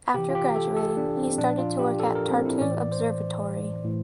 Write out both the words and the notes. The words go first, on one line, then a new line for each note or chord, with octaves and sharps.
After graduating he started to work at Tartu Observatory.
C3 E3 G4
F4
G4
A4
A4
D4
C4
A#2 F3 D4
F4
G4
A4
A#4
C4
E4
A2 E3 D5
C5
A2 E3